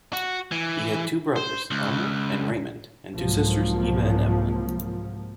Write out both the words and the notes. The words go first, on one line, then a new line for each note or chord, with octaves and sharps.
He had two brothers, Elmer and Raymond, and two sisters, Eva and Evelyn.
F#4
E3
C5
C#2
C2 G#2 F3 F#3 A#3